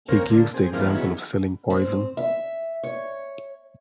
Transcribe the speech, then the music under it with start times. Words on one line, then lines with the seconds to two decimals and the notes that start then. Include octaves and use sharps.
He gives the example of selling poison.
0.09 D#2 A#3 C4 A#4 C#5
0.30 A#2 D3
0.54 C4 G#4
0.73 G2 E3 A#3 C4 F5
0.89 D#3 F#3 B3 C#4 E4 G#4
1.70 C4
2.17 E5
2.83 C#5